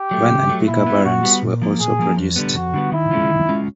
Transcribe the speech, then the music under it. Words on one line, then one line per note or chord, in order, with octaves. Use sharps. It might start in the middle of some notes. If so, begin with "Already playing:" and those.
Van and pick-up variants were also produced.
Already playing: G4
F#3 A3
C#3
F#3 A3
A#2 E4
G3 B3
A#2 F#4
G3 B3
A#2
F3 A#3
A#2 G#4
F3 A#3
F2
D3 G3 B3
F2 F#4
D3 G3 B3
D#3 E4
G#3 C#4 F4
D#3
G#3 C#4 F4